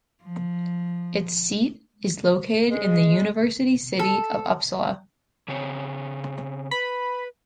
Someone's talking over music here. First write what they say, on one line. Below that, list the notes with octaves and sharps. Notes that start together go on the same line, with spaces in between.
Its seat is located in the university city of Uppsala.
F3
G#3
A4
C#3 C4 C#5
B4 B5